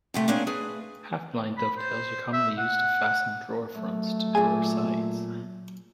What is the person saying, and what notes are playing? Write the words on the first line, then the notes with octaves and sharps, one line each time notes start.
Half-blind dovetails are commonly used to fasten drawer fronts to drawer sides.
F#2 C3 A3 G4
A#3 C4 D4 G#4 C#5
A3 G#4 B4
B5
C5
E5
F#5
F#3 A3
A#2 G#4 G#5